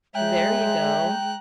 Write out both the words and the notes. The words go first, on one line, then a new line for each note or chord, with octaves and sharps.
There you go.
G#3 C#5 E5 G5 A#5 F#6